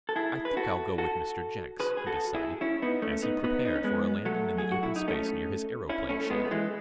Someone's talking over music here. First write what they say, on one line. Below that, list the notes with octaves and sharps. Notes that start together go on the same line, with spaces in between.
"I think I'll go with Mr. Jenks," he decided, as he prepared for a landing in the open space near his aeroplane shed.
A4
E4 G#4
B4
F#4 A4
F#4 A4
G#4 B4
G#4
F#4 A4
E4 G#4
C#4 E4
B3 D#4
A3 C#4
B3 D#4
B3 D#4
D#4
C#4
G#3 B3
F#3 A3
G#4
F#4
E4
D#4
A3 C#4
C#4 E4
A3 C#4
A3
G#3 B3
A3
E3 G#3